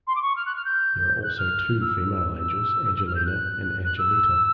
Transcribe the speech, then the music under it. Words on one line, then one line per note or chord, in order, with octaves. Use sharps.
There are also two female angels Angelina and Angelita.
C6
D6
C#6
F6
F#6
F6
G6
F#6
F6
E6
E6
E6
F6
G6
F#6
F#6
E6